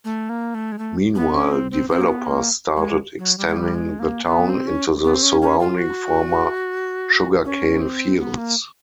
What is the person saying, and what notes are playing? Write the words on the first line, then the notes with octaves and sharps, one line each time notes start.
Meanwhile, developers started extending the town into the surrounding former sugarcane fields.
A3
A#3
A3
G#3
A3
B3
C#4
C4
C4
C4
A#3
B3
A#3
G#3
F#3
G3
G#3
G3
G#3
A#3
B3
C4
C#4
B3
C4
C#4
C#4
F4
F#4
C#4
C4
B3
A#3